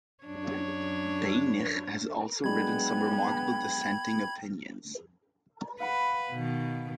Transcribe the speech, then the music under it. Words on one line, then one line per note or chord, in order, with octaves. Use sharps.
Beinisch has also written some remarkable dissenting opinions.
F#2 D4 C#5
F#3 G#3 B3 D4 G5 B5 G#6
B4 F5 F#5 B5
B2 D#3